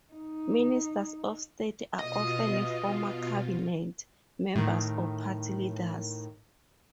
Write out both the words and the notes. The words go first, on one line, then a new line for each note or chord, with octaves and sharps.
Ministers of state are often former cabinet members or party leaders.
D#4
B2 F4 D#5
A2 D#3